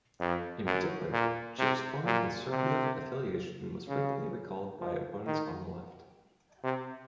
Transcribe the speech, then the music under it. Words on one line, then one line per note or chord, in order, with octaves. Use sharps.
In particular, Chipp's former conservative affiliation was frequently recalled by opponents on the left.
F2
F#2
A#2
C3
A#2
C3
C#3
F3
D#3
C3